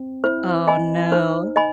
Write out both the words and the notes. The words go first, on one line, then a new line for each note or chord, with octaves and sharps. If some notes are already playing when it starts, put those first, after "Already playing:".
Oh no.
Already playing: C4
E4 C5
D#5 G#5 B5
D#4 C5
D#5 G#5 B5